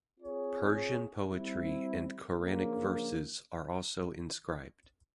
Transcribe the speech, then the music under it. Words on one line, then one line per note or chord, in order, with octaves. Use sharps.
Persian poetry and Quranic verses are also inscribed.
C4 F4 G#4 C#5
G3 C4 E4
C#3 F3 A#3 D4